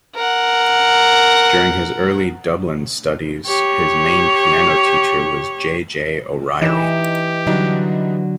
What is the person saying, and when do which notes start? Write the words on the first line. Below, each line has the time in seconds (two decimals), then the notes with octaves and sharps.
During his early Dublin studies, his main piano teacher was J. J. O'Reilly.
0.15 A#4 F#5
3.46 G4 C#5
6.62 E3 D#4 G4 E7
7.47 D3 F#3 G3 D4 D#4